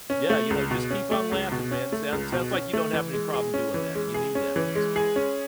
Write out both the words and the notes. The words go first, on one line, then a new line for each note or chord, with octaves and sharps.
yeah, you know, just keep on laughing, man. Sounds sounds, like, you don't have any problem doing that, and you need that in this world.
C#4
A3
C#2
B2
C#4
A3
C#2
B2
C#4
A3
C#2
B2
C#4
A3
E3
G#3
G#4
C#4
E3
G#3
G#4
C#4
E3
G#3
G#4
C#4